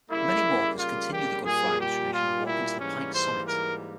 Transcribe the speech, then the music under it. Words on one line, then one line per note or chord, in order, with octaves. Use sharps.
Many walkers continue the Good Friday tradition of walking to the pike summit.
C#3 G3 A#3 E4
F4
G4
A#2 G3 A#3 G#4
G4
F4
E4
G#2 E3 G3 A#3 C#4
C5
A#4